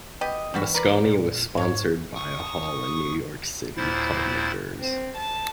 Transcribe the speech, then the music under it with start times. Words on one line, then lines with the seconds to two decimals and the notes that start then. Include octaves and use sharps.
Mosconi was sponsored by a hall in New York City called McGirr's.
0.21 B3 G4 D#5
0.54 E3 G3 B3 F#4
0.74 A#4 B4 D5
1.06 A#2
1.57 G#2 C#5
2.15 C#6 D#6
3.77 D#2 A#2 E4 C5 A6
4.80 C4
5.18 A5